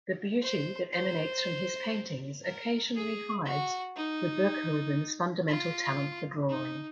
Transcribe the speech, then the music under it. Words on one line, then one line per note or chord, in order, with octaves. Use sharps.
The beauty that emanates from his paintings occasionally hides Verboeckhoven's fundamental talent for drawing.
C5
C5
A#4
G#4
F#4
D#4
F4
D#4